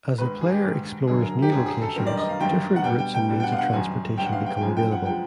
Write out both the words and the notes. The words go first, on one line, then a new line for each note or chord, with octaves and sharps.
As a player explores new locations, different routes and means of transportation become available.
G#2 D#3 G#3 B4
G#4
G4
G#2 D#3 G#3
F#2 D3 F#3 G#4
A#4
G4
F#2 D3 F#3 G#4
G#4
A4
F#2 D#3 G3 A#4
D5
D#5
F5
F#2 D#3 G3 G5
F#5
B2 G3 G5
G5
G5
B2 G3
G5
F#5
F5
F#5
F#2 D#3 G3 G#5
F#2 D#3 G3 G5
F#5
F5
G5
G5
F#2 C#3 F3 G#3 G#5
G5
F#5
C#3 F3 G#3 G5